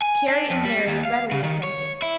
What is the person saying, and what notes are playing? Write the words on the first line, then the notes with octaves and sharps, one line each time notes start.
Carry and Mary readily assented.
G#5
D4
F2
G3
D#2
F5
C#3
D#3
C#5
E4